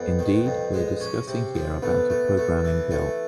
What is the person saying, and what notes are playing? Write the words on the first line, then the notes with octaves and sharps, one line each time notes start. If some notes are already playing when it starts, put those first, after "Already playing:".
Indeed, we are discussing here about a programming bill.
Already playing: F2 B3
D#3
F2
G#3
C#4
C3
F3
A3 B3
A3
A3
E3
A3